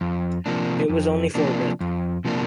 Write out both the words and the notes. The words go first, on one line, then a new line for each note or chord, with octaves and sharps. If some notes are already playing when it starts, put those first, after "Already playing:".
It was only for a bit.
F2
C3 F3 A#3 D4
F2
C3 F3 A#3 D4
F2
C3 F3 A#3 D4